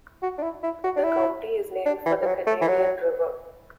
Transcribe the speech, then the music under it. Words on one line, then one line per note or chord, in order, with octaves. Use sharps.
The county is named for the Canadian River.
F#4
D4
E4
E4
F#4
D4
E4
D4
E3
G3
F#3
A3
E3
F#3